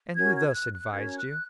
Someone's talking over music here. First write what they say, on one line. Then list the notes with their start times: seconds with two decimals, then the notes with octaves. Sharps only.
"And who thus advised you?"
0.16 C#4 F#4 A#4 G#6
0.35 G#6
0.54 F#6
0.73 F#6
0.92 C#4 F#4 A#4 G#6
1.17 F#6